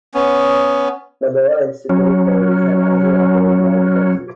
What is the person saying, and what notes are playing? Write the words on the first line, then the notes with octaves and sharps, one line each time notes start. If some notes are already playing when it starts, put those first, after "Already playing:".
Manila and Subic Bays had Army-operated mine defenses.
B3 C#4
F#3 C#4